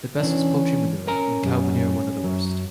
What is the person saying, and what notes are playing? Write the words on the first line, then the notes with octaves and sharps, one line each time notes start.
The best was poultry manure, and cow manure one of the worst.
E3 C#4 D4
C#4 A#4 G#5 A#5
B1 F#2 G4
F#2 F#3